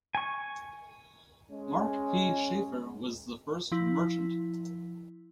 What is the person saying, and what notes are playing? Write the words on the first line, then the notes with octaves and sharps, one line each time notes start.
Mark P. Sheffer was the first merchant.
G#5 C#6
G#3 C#4
F3 E4